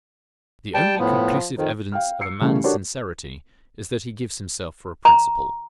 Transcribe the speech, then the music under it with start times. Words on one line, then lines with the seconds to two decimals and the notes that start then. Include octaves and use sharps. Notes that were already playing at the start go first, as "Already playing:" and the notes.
The only conclusive evidence of a man's sincerity is that he gives himself for a principle.
0.74 G3 G5 A5
0.99 A2 F3 B3
1.58 F2 D#3
1.92 F5 G5 F6
2.21 E6 C7 C#7
2.41 C#3 E3 G3 A3 C#4 G4
2.64 D4 F#4 G4 A4 A#4 C#5
5.05 A#5